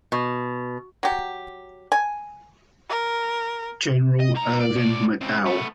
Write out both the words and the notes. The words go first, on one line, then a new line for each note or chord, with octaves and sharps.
General Irvin McDowell.
B2
F#3 G4
G#5
A#4
D#5
G#2 A#5
D5
A2 D5
C#2 C4
A3 B3